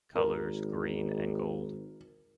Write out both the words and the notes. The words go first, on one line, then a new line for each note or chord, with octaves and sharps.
Colours: Green and Gold.
G#1 A#4